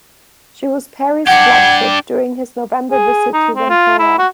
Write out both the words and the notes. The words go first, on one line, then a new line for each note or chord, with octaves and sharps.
She was Perry's flagship during his November visit to Whampoa.
D4 G4 F#5 G#6
G#4
D#4
C4
F4
E4
F#4